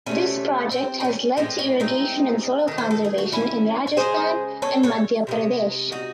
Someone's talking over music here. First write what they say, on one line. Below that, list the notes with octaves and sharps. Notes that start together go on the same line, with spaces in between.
This project has led to irrigation and soil conservation in Rajasthan and Madhya Pradesh.
C3 F#3 A3 C#4
C4
D#4
C#4
A2 E3 G#3 C4
C#4
C4 D#4
D#3 A3
C5
A4
G#4
F#4
C#4 E4
C#5
C#3 G#3 G#4 C5
A4 C#5
A4 C#5
C3 D#3 G#3
D#4 F#4